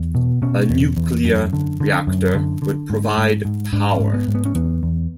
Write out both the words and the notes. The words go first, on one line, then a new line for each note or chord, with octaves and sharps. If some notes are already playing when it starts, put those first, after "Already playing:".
A nuclear reactor would provide power.
Already playing: E2
B2
B2 C#4
E2
E2
F#2
D3
D3
F#2
D3
D3
G#2
G#2
G#2
G#2 D4
C#4
G#2
B3
G#2
B3
C#4
E2 B3
E2